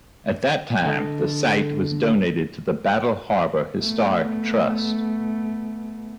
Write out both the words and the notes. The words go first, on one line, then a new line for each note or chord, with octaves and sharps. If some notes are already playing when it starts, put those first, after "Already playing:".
At that time the site was donated to the Battle Harbour Historic Trust.
D3 A4 D#5
A3 B3